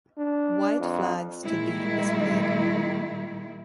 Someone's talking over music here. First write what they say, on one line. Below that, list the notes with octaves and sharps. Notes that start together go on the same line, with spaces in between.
White flags to be displayed.
D4
F2
A#2 D#3 G3 G#3 E4